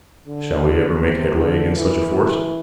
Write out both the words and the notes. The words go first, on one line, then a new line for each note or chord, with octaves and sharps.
Shall we ever make headway against such a force?
D3
C3
D3
E3